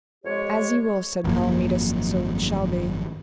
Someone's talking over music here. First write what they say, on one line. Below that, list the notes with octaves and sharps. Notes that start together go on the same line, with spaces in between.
As ye will, said Palomides, so it shall be.
F2 G#3 G4 C#5
G#1 F#2 F3 A#3